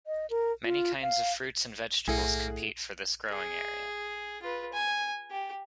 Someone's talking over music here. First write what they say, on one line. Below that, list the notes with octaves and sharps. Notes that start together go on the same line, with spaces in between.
Many kinds of fruits and vegetables compete for this growing area.
D#5
A#4
F4
F5
B1 A2 A#3 G#4 D#5 F#5
G#4
F4 B4
G#5
G4